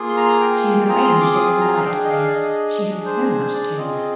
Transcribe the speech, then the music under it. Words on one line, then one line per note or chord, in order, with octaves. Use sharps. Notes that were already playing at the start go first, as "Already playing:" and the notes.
She has arranged it delightfully; she has so much taste.
Already playing: A#3 F4 G#4
C6
A#5
G5
C4 F4 G#4 A#5
C6
D6
D#6
A#5
F5
D4 G#4 G5
D#5
F5
D5
D#5
D4 G#4
C5
C5
D5
C4 F4 G#4 D#5